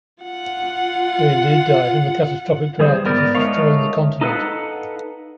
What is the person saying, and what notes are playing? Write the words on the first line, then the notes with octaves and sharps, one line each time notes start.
They indeed die in the catastrophic drought that is destroying the continent.
F4 F#5
E3 G3 G#4 C5
G#2 B3 A#4 D5
G#3 A3 D#4 A#4 C#5 F5
D#4 A4 B4 F5 F#5